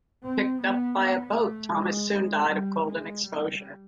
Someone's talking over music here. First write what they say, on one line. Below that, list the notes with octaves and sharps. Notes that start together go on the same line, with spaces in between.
Picked up by a boat, Thomas soon died of cold and exposure.
C4
B3
B3
A3
G#3
G#3
G3
G#3
G3